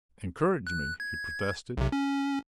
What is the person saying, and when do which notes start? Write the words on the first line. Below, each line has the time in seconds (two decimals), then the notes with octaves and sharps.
"Encouraged me!" he protested.
0.67 F#6
1.00 G#6
1.77 B1 C3
1.92 C#4